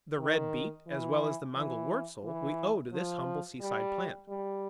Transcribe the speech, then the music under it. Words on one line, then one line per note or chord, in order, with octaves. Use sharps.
The Red Beet, as well as the Mangel-wurzel, we owe to this humble seaside plant.
D#3
E3
E3
E3
F3
G3
G3